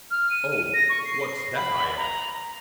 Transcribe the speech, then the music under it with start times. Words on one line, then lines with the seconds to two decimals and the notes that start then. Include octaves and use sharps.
"Oh! What's that?" I asked.
0.11 F6
0.30 D#7
0.74 A#6
0.89 C#6
1.05 C7
1.56 B5
1.97 A#5